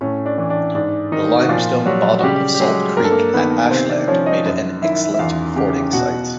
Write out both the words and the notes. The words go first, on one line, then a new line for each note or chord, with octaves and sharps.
The limestone bottom of Salt Creek at Ashland made it an excellent fording site.
A2 C#4
D4
E3
D4
G#2 D4
D#3 D#4
F#4
A#2 F3 F4
F#3 G3 F#4
F#4
C#3 G3 G4
G4
F#3 G#3 G#4
G2 A#4
A4
A#3 A#4
D#3 B3 B4
C3 C4 C5
D4 D5
F3 C#4 C#5
D#4 D#5
F#2
D#3 E4 E5
E5
E2 F4 F5
C#3 G4 G5
B2 F#4 F#5